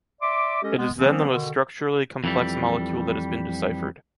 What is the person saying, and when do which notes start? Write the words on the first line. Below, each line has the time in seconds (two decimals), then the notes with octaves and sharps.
It is then the most structurally complex molecule that has been deciphered.
0.21 D5 E5 C6 D6
0.63 G#3 C#4 G4 A4 D#5
0.78 G#3 B3
0.96 D#3 F3 G3 A#3 C4 C#4
1.30 B2 D3 D#3
2.24 F2 E3 G3